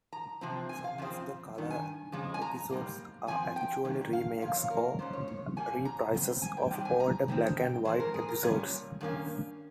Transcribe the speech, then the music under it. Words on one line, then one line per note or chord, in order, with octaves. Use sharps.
Some of the colour episodes are actually remakes or reprises of older black-and-white episodes.
A#5
C3 F3 C4
G#5
F5
F2 C#3 F3 C4
G2 D#3
G#5
F2 C#3 G#3
G#5
A#5
G#2 G3 A#3
F2 C#3 F3 C4 G#5
G5
G2 D#3 A#3 C#4
F5
C#3 F3 A#3 F5
C#5
A#4
A#2 G#3 C#4 C5
C#5
C#5
C#3 G3 A#3 G#5
A#5
C#3 G3 C4
G#5
G5
G#2 G3 C4 G5
G#5
A#5
G2 D#3 G#3 C4
G5
F2 C#3 G#3 C5
A#4
G#4
A#4
A#2 G3 C#4 C#5
G2 D#3 A#3 C#4